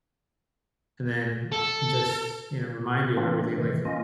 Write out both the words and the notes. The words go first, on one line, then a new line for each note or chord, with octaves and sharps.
and then just, you know, remind you of everything. Like,
A4
E3 A#3 C4 D4 F4
C3 D#3 E3
A#3 C#4 F4 D#5